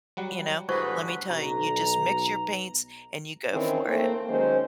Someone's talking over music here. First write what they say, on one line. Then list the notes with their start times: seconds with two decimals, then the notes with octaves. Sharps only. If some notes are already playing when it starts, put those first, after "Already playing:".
you know? "Let me tell you. You just mix your paints and you go for it."
0.17 F#3 G3 F#5
0.69 G2 D3 E4 F#4 G#4 B4 C5 C#6
1.30 B1 A#5
3.53 D#3 E3 C4 C#4 C5 C#5
3.87 A3 A#3 C4
4.29 D#3 F#3 G#3 C#4 A#4 C5